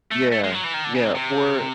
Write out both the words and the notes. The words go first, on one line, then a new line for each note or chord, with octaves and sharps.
Yeah, yeah, or
A3
A3
G#3
F3
F#3
E3
D#3
D3
C#3
C3
C3